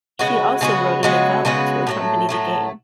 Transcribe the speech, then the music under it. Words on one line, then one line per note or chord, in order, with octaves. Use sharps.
She also wrote a novella to accompany the game.
C#3 G#3 B3 F#4
C#3 G#3 B3 F#4
C#3 G#3 B3 F#4
C#3 G#3 B3 F#4
A2 F#3 A3
A2 F#3 A3